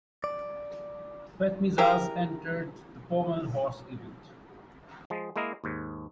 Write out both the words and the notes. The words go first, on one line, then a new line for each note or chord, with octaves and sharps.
Petmezas entered the pommel horse event.
D5
E4 G4 G#4 A#4
F3 G#3
G#3 A#3 E4 A#4 D#5
D#2 G#2